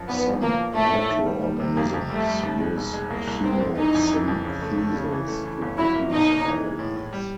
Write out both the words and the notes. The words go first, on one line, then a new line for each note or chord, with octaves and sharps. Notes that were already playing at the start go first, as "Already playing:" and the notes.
Some microorganisms use chemosynthesis to produce biomass.
Already playing: F#2 F3
G#1 B3
F3
F3 A#3
F3
A2 A3
A2
D#3
G3
G3
C3
F2 A#3
F2
G3 A3
G3
D#2
G#3
E1
G#3
C2 A#3
C2
C2 C4
C2
E3 D#4
F2
E3
F2
C#3
A3
A3
C#3
E3
A3
E3
G1
F#3 E4
A#3
B2 D#4
A#3
E3
G#3
A2
A2
G3